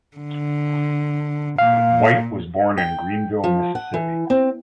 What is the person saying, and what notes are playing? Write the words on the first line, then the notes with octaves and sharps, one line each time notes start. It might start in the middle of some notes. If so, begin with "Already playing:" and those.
White was born in Greenville, Mississippi.
D3
A#2 F5
G5
F3
F#5
E3
C4